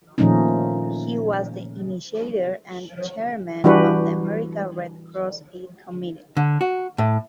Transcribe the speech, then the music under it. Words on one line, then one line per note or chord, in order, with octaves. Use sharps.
He was the initiator and chairman of the American Red Cross Aid Committee.
A#2 D#3 F3 A3 C#4 D#4
E3 G3 D4 F#4 G4 B4
D3
F#4
A2